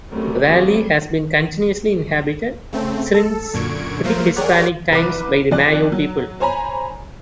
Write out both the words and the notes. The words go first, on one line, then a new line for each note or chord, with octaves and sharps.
The valley has been continuously inhabited since pre-Hispanic times by the Mayo people.
F#3 G3 A3 C4 C#4 A#4
F#3 G3 A3 C4 G#4
C#3 A3 C4
A4
F#2 A#2 D3 C#6 G#6 D7
F3 F#3 A3 A#3 A#4 C5
G4 G#4 A#4 C#5 D5 F#5
C2 B4 D6
F2 D5 F#6
F#3
C5 C#5 G#5 A#5 B5